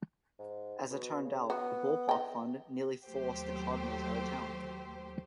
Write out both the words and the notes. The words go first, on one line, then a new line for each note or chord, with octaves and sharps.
As it turned out, the ballpark fund nearly forced the Cardinals out of town.
G#2
B2
C#3
B3 F#4
D#5 G5
D#2 F#3 A3 G4 C5